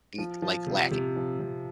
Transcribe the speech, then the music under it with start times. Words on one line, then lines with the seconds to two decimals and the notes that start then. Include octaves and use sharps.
n like, lacking.
0.18 F3
0.42 F3
0.67 C3
0.91 C3
1.16 F3
1.40 C3